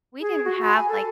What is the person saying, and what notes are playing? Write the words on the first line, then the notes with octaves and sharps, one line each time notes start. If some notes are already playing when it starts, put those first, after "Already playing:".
we didn't have, like,
G#4
F#4
B5
G#5
A4